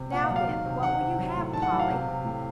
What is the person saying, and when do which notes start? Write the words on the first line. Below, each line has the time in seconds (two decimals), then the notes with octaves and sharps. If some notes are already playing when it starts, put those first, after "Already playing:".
"Now, then, what will you have, Polly?"
Already playing: C3
0.12 A#2 F#5
0.23 F5
0.29 F#3
0.36 F5
0.47 D#3
0.65 C3
0.82 D#3 F#5
1.00 C3
1.18 F#3
1.36 A2
1.53 D#3 A5
1.62 F#5
1.72 F#3
1.79 F5
1.89 C3
2.07 C3
2.24 A2